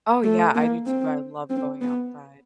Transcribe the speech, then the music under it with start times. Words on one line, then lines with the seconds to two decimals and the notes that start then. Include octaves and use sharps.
Oh, yeah. I do too. I love going outside.
0.24 A3
0.55 A#3
0.87 C4
1.50 C4
1.81 B3